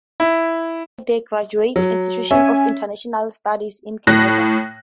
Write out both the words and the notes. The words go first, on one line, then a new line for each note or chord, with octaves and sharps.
Dunkel was educated at the Graduate Institute of International Studies, in Geneva.
E4
F#3
C#4 E5 G#5
A2 F#6 A#6